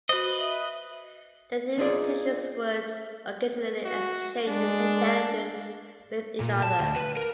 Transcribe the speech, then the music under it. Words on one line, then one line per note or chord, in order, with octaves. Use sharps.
The two institutions would occasionally exchange intelligence with each other.
F#4 B4 C5 D#5
E5
C4 D4 D#4 F4 G#4 D5
F#4
G#3 D4
A#2
A5
D2
B4
A#4